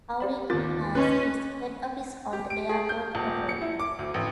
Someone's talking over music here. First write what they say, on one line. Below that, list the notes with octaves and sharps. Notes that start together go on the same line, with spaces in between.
Aurigny has its head office on the airport property.
G4 D5 B5
D#2 F4 A#4 D6 A6
C#4 B4 D#5 C6 F#6
G4
D7
G#4
G6
D#1
C#7
E4
D6
D2
A1